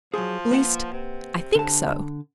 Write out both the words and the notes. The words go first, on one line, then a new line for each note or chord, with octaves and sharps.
'At least, I think so.
F3 F#3 G#4
A#3 B4 F#5
C3
D3 A5